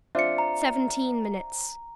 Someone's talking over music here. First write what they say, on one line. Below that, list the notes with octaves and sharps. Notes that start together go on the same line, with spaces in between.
Seventeen minutes.
C4 D4 F4 E5 C#7
A#5